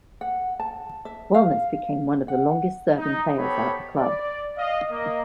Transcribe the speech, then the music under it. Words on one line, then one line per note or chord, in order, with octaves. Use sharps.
Wilnis became one of the longest-serving players at the club.
F#5
A5
E5
F5
F#5
D#4
B3 G4 A4 C5 C#5 B5
D5
D#5 F5
A#3 D#5